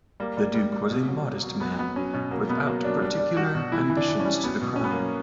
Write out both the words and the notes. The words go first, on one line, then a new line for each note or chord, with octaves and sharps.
The duke was a modest man without particular ambitions to the crown.
G3 A#3
G3
G3
G3
B2
F#3
F#3
F#3
F#3 B3
F#3 B3
F#3 C#4
B2 C#4
F#3 A#3
B2 B3
F#3 A#3
F#3 D4
G3 D4
G3
G3 F#4
B2
E3 E4
E3
D4
E3
C#4
G3
F#3 B3
B2 B3
C#4
F#3
B3
A#3
F#3